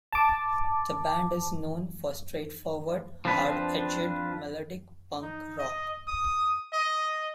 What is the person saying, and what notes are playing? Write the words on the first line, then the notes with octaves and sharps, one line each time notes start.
The band is known for straightforward, hard-edged melodic punk rock.
A5 D6
F3 C4 D4 B4
D#4
D#5
D#6
D#5